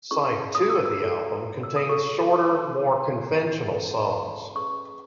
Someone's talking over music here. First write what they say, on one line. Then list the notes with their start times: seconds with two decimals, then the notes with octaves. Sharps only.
Side Two of the album contains shorter, more conventional songs.
0.11 C#4 E4 G#4 B4 C#6
0.55 D#6
0.70 E6
0.86 E6
1.00 F#4 A4 C#5
1.63 E6
1.76 D#6
1.89 F#4 A4 C#5 C#6
2.33 D#6
2.78 E4 G#4 B4
3.67 C#4 F#4 A4
4.55 C#4 G#4 B4 C#6